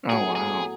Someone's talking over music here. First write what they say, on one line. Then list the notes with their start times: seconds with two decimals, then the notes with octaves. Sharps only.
Oh, wow.
0.10 A2 F#3 B3 G#4
0.35 G#4